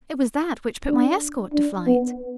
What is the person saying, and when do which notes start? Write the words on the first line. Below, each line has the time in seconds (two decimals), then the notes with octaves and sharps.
"It was that which put my escort to flight."
0.87 D4
1.53 D4
1.87 B3